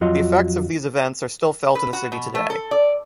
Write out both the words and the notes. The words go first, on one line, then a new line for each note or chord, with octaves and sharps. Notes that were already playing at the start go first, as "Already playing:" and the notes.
The effects of these events are still felt in the city today.
F2 F#3 F4 F#4 D#5 C6
B4
F#4
B2
A3
A4
D5